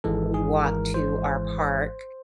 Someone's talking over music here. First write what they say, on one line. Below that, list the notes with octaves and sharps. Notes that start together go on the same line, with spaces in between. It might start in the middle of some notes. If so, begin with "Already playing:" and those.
we walk to our park
G#1 G#2 E3 G#3 A4
G#4
A#4
C5